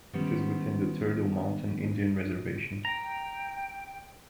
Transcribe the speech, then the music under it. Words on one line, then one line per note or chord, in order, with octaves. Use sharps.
It is within the Turtle Mountain Indian Reservation.
D#3 G3 B3 C#4 C5
G5 A#5